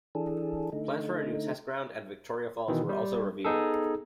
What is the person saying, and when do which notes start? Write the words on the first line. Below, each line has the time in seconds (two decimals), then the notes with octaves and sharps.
Plans for a new Test ground at Victoria Falls were also revealed.
0.15 E3 D4 G#4 A4
0.72 D3 A3 D#4
2.68 B2 D#3 E3
2.89 G3
3.45 B3 D#4 G#4 A4